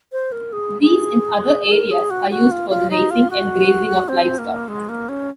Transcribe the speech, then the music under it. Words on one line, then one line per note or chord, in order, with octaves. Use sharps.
These and other areas are used for the raising and grazing of livestock.
C5
A#4
G#4
G#4
A#4
G#4
F#4
F#4
F4
F4
D#4
F4
F#4
C4
A#3
G#3
A#3
C#4